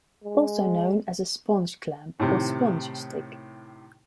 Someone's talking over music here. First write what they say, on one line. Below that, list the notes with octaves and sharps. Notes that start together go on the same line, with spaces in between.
Also known as a sponge clamp, or sponge stick.
G#3
A2 C3 D#3